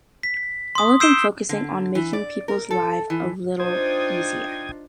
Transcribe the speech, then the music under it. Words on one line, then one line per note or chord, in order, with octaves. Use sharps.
All of them focusing on "making people's life a little easier".
B6
C6 D#6
E6 G6 C7 D7 E7 G7
D3
E3
D5
A#4
A4
E3
D4 D#4 F4 C5 G5 D#6 G#6